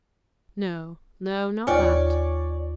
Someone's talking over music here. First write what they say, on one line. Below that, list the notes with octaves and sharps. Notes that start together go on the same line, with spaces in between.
No, no: not that.
D#2 F4 C#5 D5 G#5